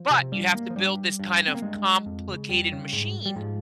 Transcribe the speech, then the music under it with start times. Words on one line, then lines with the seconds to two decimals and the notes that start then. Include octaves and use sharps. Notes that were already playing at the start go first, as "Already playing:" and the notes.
but you have to build this kind of complicated machine
Already playing: F3
0.10 C3
0.32 G2 G3
0.55 A#3
0.70 F3
0.76 G2 G3
1.19 G2
1.48 C4
1.55 A#3
1.62 G2 G#3
2.06 F2
2.28 C#3
2.49 F2 G3
2.72 C#3
2.93 G#2
3.26 G3
3.36 G#2 F3